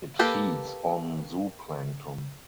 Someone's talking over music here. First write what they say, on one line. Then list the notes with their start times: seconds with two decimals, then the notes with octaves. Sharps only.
It feeds on zooplankton.
0.19 A#3 G4 A4 B4